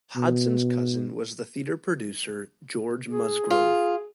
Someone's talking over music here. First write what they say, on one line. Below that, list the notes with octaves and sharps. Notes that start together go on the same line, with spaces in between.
Hodson's cousin was the theatre producer George Musgrove.
B2
G#4
F4